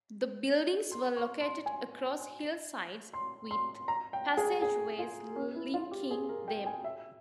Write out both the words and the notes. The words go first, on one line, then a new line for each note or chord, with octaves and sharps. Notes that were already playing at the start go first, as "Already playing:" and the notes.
The buildings were located across hillsides, with passageways linking them.
C6
C#6
C6
G#5
C6
C6
A#5
G5
G#4
G#4
F4
C#4
E4
F4
G4
G#4
A#4
G5
G#5
E5